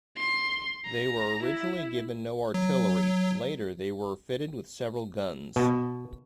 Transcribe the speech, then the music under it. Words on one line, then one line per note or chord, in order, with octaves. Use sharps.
They were originally given no artillery, later they were fitted with several guns.
C6
A#5
E4
F#3
B2